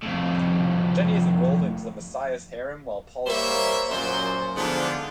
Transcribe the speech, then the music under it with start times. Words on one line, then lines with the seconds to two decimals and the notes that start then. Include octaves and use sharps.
Jenny is enrolled into the Messiah's harem while Paul is thrown in a cell.
0.03 F2 A2
3.27 G3 A#3 A#4 C5 C#5 E5
3.90 F#2 A#2 F#3 C5
4.56 G#2 D3 F3 B3 D4 F4